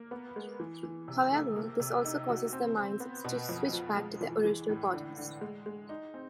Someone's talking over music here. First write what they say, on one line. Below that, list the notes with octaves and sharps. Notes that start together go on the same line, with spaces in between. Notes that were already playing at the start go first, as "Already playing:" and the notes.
However, this also causes their minds to switch back to their original bodies.
Already playing: A#3
B3
G#3
E3
E3
C3
A3
A#3
C3
D#4
F#4
C4
C4
B3
B2
F2
F3
G#3
E3
E3
A2
D3
D3
G#3
G#3
D#4
C4